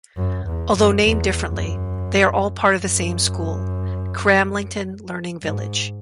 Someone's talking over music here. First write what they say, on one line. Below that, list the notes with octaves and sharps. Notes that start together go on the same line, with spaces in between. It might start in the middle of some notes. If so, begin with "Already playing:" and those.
Although named differently, they are all part of the same school; Cramlington Learning Village.
F#2
E2
F#2
E2
F#2
F#2
G#2